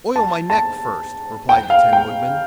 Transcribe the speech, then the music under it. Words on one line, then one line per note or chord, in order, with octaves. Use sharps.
"Oil my neck, first," replied the Tin Woodman.
A5
A5
G5
F5
G5